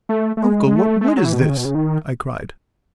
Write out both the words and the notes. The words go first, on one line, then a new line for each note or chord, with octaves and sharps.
"Uncle, what wood is this?" I cried.
A3
A3
G#3
G#3
A3
A3
G#3
F#3
E3
B2
D#3
C#3
B2
C#3
D#3